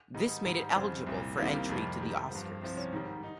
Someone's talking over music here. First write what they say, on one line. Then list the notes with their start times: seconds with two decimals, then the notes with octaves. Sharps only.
This made it eligible for entry to the Oscars.
0.14 G#2 D#3 G3 D#4
0.45 G#2 D#3 G3
0.76 F2 C#3 G3 C4
1.07 C2 A#2 G3
1.38 C2 C3 D#3 G3 A#3
1.69 F2 C3 G3
2.00 G#2 D#3 G3
2.31 G2 F3
2.62 C2 C3 F3
2.77 C#4
2.92 G#2 D#3 G3
3.23 D#4